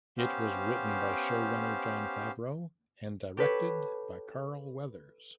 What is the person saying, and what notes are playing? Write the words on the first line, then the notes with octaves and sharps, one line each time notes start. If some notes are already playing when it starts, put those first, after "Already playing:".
It was written by showrunner Jon Favreau and directed by Carl Weathers.
B3 C#4 G4 C5 F5
G4 A4 B4 C#5